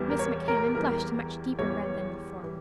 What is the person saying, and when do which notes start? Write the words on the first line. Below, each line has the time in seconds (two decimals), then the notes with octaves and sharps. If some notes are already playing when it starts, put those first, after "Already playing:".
Miss Macmahon blushed a much deeper red than before.
Already playing: E2 E3 G3
0.10 A#4
0.19 C#5
0.48 A#4
0.74 E2 E3 G3 A#4
1.59 E2 E3 G3 C#5
2.43 E3 G3